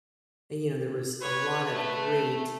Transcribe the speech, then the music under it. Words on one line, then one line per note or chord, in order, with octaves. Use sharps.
and, you know, there was a lot of great,
B4 C#5
A3